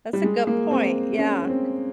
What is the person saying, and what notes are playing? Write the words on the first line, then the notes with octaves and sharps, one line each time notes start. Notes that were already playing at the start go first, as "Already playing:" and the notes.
that's a good point, yeah,
G3
G#3
A#3
C4
C#4
C#4
C4